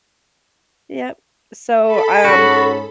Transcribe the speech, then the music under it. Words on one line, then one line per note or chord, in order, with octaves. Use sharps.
Yep. So, um,
A4 B5
G#2 C#4 F#4 G#4